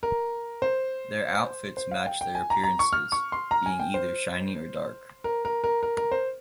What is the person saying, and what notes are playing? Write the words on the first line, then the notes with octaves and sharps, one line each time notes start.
Their outfits matched their appearances, being either shiny or dark.
A#4
C5
C5
F5
G5
G5
G#5
A#5
A#5
C#6
F6
C#6
C6
A#5
G#5
G5
C5
A#4
A#4
A#4
A#4
A#4
C5